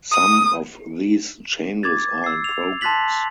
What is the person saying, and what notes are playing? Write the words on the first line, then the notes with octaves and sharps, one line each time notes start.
Some of these changes are in progress.
D#6
D6 G#6 A6
E6 C7
F7
A5 C6 F#6 A6 B6 F#7